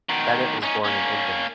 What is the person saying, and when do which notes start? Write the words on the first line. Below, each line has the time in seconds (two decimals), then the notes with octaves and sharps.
Bennett was born in England.
0.09 B2 D#3
0.63 C#4 D#4
0.84 A#3 C#4